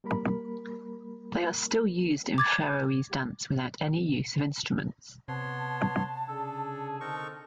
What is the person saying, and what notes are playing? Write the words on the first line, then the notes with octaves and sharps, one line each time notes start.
They are still used in Faroese dance without any use of instruments.
G3 A#3 A#4 B5
D6 G#6 A6
C3 B3 C#5 A5 C6
C#3 D4 G#4 A4
D3 C4 D#4 A4 A#4 C#6